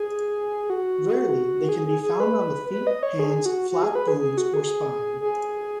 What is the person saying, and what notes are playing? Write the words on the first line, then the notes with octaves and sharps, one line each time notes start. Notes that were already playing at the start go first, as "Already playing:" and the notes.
Rarely, they can be found on the feet, hands, flat bones, or spine.
Already playing: G#4
F#4
G#4
G#4
G#4
B4
B4
D#5
C#5
G#4
F#4
F#4
G#4
B4
G#4
G#4
F#4
G#4
G#4